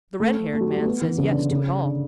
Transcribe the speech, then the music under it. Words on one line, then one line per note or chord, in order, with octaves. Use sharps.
The red-haired man says yes to it all.
A3
A3
F#3
G3
A3
B3
E3
C#3
D3
C#3
D3